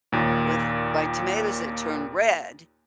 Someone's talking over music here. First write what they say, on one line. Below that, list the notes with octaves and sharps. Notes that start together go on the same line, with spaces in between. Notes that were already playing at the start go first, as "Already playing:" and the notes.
with my tomatoes that turn red,
D#2 A#2